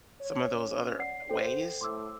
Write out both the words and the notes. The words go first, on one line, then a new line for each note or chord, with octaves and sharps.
some of those other ways,
C#5
C#4
D5 F#5 C7
A4 C5 G5
A2 C6 D6 E6